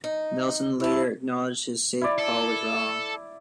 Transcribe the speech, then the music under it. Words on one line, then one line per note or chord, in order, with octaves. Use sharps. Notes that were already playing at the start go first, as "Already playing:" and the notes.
Nelson later acknowledged his safe call was wrong.
D#4
E4 C#5 A5
E4 D5
A4